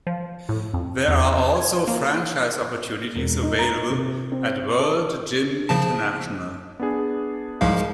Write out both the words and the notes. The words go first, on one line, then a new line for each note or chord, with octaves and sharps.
There are also franchise opportunities available at World Gym International.
F3
A2
F2
E2
G#6
A#3
E1
D#4
A#5
C3
C4
A4
C#3 F3 A5
B3 D4 G#4
C2 G#2 F3 C5 F5